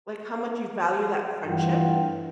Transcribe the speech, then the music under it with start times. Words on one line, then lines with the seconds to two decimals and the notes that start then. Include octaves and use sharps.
Like, how much you value that friendship?
1.46 G2 E3 A3 F4 F#5 G5